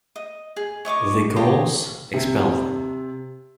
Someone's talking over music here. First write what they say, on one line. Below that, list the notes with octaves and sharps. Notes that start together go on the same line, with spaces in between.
The Gauls expelled them.
D#5
G#4
C#5 D#5 C#6 D6
F4 G4 C#5 D#5
C3